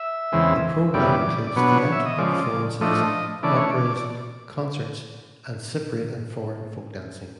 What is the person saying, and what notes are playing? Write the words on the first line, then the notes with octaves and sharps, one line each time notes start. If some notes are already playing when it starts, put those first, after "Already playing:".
The programme includes theatrical performances, operas, concerts and Cypriot and foreign folk dancing.
Already playing: E5
E2 C#3 E3 G#3 C4
F#2 C#3 E3 G3 B3 D5
D5
B2 F#3 B3 D4 C#5
E5
D#5
C#3 F3 G#3 D5
A2 F3 A3 D4 D#5
C#3 E3 A3 D4 D5
C#5
D5
D5